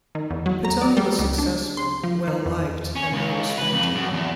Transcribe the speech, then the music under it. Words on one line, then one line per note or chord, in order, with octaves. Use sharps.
Pittoni was successful, well liked and well respected.
D#3
E2
F#3
A#5
D5
G3
C#2
D4
C6
F3
D#3
E2
C#4
C#2
B4
F2
F#2
E2